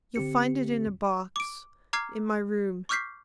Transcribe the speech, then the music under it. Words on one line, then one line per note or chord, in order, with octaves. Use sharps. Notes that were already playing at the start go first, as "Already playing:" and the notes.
You'll find it in a box--in my room.
D3 C4 G4 C#7
D6 D7
A#5 D6 F6 G#6 C7
C#6 D6 F6 G6 B6 C7